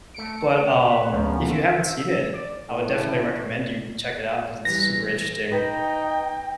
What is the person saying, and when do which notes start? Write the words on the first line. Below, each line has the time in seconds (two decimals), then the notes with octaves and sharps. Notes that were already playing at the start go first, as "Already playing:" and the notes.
but, um, if you haven't seen it, I would definitely recommend you check it out 'cause it's super interesting.
0.14 A3 C#7 D7
0.85 B4
1.10 D2 C#3 F3 A#3 B3 C#4
1.50 E5
2.33 D5
2.69 A2
4.65 E3 G3 A#6
5.52 D#4 B4 G5